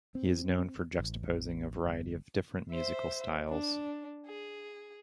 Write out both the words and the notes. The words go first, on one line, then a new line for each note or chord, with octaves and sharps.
He is known for juxtaposing a variety of different musical styles.
C4
A1
G1
C5 E5
D4
G#4